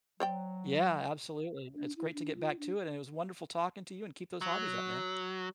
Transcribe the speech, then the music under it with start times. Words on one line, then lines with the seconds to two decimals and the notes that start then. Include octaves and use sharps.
Yeah, absolutely. It's great to get back to it and it was wonderful talking to you and keep those hobbies up, man.
0.20 F#3 C5 D5 G5
1.74 D4
1.96 E4
2.13 D4
2.36 F4
2.58 D4
4.41 F#3